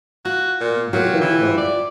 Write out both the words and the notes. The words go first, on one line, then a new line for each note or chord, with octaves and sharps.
M The Flintstones.
F4 F#4
A#2
F#3 E4 F4 G4
E3
D5